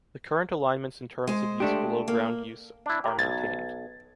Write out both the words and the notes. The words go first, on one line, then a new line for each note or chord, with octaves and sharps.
The current alignments in terms of use below ground use are maintained.
G#3 C5
A3 D4 G4
A#3
D4 E4
G4 A#4
B1 G#6 A6